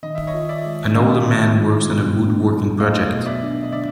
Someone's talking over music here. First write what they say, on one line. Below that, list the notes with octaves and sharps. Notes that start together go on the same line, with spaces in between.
An older man works on a woodworking project.
D#3 D#5
E5
C#5 D#5
F4
D5 E5
G#3
C#4 D#5 F5
D#3
F4
B2
D4
F#3
A3 D#5 F5
B2
D5 E5
D4
D#5
D3 D5 E5